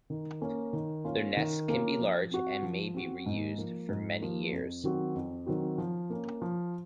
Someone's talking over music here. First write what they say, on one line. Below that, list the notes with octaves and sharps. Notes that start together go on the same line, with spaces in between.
Their nests can be large and may be reused for many years.
D#3
A#3 C#4
D#3
A#3 C#4 F4
D#3
A#3 C#4 F4
F3
C4 F#4
F3
C4 F#4
G#2
F3 A#3
G#2
F3 A#3
F2
D#3 F#3 C4 F#4
F2
D#3 F#3 C4 F#4
F3
A#3 C#4
F3